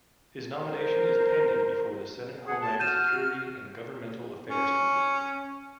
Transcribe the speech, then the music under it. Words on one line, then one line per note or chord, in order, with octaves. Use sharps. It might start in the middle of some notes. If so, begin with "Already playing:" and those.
His nomination is pending before the Senate Homeland Security and Governmental Affairs Committee.
A#4 C5
G#4 F#5
A5
F#4 F6 G6 D#7 E7
C#4